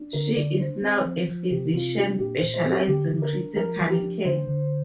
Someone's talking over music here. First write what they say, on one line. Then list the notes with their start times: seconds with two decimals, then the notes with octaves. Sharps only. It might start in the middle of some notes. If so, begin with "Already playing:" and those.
She is now a physician specializing critical care.
Already playing: D4
0.13 D3 A#4
0.36 D3 D5
0.59 D4 C5
0.82 C4
1.04 F3
1.28 F3
1.51 C3 G4
1.73 C3 F4
1.96 D4 G4
2.19 A#2 G4
2.37 A#2 C5
2.54 C5
2.65 C4
2.70 G4
2.88 D3 G4
3.11 D3
3.22 A#4
3.33 D4
3.56 F3 A#4
3.79 F3
3.90 G4
4.02 D4
4.25 D3 C5
4.47 D3